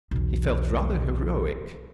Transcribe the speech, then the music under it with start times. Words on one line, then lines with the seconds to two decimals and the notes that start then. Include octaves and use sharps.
He felt rather heroic.
0.11 B1 E2